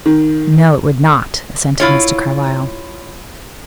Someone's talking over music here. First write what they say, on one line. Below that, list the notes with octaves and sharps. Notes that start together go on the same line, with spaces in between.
"No, it would not," assented Mr. Carlyle.
D#3
E4 F4 C#5